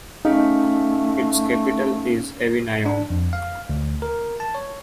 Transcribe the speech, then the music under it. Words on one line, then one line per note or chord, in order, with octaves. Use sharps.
Its capital is Evinayong.
A3 C#4 D#4 G#4 F5
D4
F2
F5
D2
A#4
A5
C#5